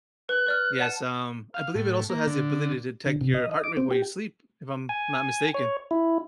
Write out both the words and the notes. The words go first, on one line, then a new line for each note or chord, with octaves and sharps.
Yes, um, I believe it also has the ability to detect your heart rate while you sleep, if I'm not mistaken.
B4 F#6
B4 D5 F6
D5 F#5 A5
F5
A2
A#3
D3
D3
C3
D#5
D#5
D6
C4
G4
G#5
C#5
E4